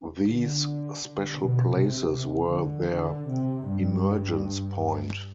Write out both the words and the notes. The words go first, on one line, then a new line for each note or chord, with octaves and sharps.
These special places were their emergence point.
D3
B2
C3
C3
D3
D3
C3
G2